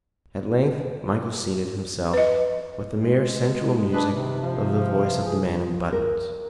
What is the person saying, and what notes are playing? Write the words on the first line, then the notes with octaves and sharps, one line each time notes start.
At length Michael sated himself with the mere sensual music of the voice of the man in buttons.
B4 D#5
G#3
D4 F4 G#4 B4
C3 D#3
F3
G#4
A#4